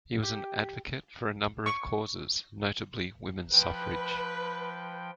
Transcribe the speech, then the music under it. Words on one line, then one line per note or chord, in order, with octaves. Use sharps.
He was an advocate for a number of causes, notably women's suffrage.
G4
C#6
F3 B4 G5